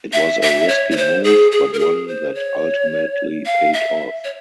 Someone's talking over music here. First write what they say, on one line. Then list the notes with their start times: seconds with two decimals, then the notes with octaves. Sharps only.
It was a risky move, but one that ultimately paid off.
0.13 E5
0.42 E5
0.69 C#5
0.91 C#5
0.97 C5
1.24 G#4
1.52 G#4
1.73 A#4
1.79 G#4
2.08 C5
2.35 C#5
3.46 F5
3.73 E5
4.24 C#5